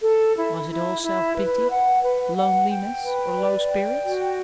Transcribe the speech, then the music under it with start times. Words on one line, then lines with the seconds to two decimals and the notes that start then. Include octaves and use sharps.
Was it all self-pity, loneliness, or low spirits?
0.03 A4
0.37 E4
0.69 E4
1.03 E4
1.36 B4
1.69 F#5
2.03 B4
2.36 F#5
2.70 G5
3.03 B4
3.36 D5
3.70 G5
4.03 F#4